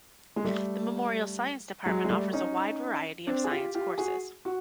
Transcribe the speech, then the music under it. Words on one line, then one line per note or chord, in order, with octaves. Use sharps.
The Memorial Science Department offers a wide variety of science courses.
G#3
G3 A3
F#3 G#3
G#3
G3 A3
C#4 D#4
C4 D4
G#4
F4 G4
F4 G4
F#4 G#4
F#4